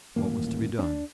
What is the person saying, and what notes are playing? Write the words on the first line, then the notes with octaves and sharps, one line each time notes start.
What was to be done?
D#1 A1 A#3
C#4 D4